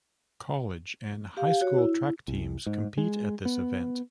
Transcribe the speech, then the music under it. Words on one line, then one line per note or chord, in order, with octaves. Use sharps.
College and high school track teams compete at this event.
G4 F5
F#4 C#5
E4
C2
G#2
G#3
B3